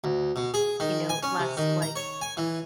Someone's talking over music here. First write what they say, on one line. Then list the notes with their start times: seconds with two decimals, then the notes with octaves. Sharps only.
you know, less, like,
0.04 D2
0.36 B2
0.54 G#4
0.80 D#3
1.09 G#5
1.23 C#4
1.39 C3
1.57 D#3
1.82 A#5
1.96 C#5
2.21 G#5
2.37 E3